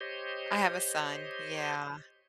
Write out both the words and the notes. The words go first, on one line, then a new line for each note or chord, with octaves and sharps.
I have a son. Yeah.
G4 C5 C#5 D#5